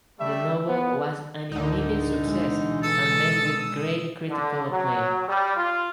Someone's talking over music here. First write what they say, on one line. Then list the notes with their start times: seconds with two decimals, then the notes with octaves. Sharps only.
The novel was an immediate success and met with great critical acclaim.
0.20 G3 A3 E5
0.69 B3
1.52 D2 A2 D3 D#3 D#4
2.21 B2 E3 G#3
2.83 A4 D#6 E6
4.29 D3
4.70 F#3
5.27 G3
5.57 F4